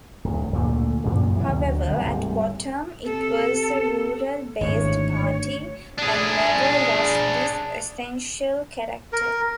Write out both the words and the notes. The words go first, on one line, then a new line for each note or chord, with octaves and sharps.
However, at bottom, it was a rural-based party, and never lost this essential character.
D1 D2
D2 A#2 D3 A3
F#2 A#2 C#3
C3 E3 F#3
D2 D3 F#3
D1 C2 G#2 G3
C3 A4
G#1 D2 A2 C#5
D4 G#4
A#4